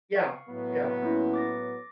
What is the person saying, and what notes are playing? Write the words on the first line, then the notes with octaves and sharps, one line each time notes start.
Yeah, yeah.
F5 C#6
A2 F#3 B3
A#3 C#4 E4
D6 A6 A#6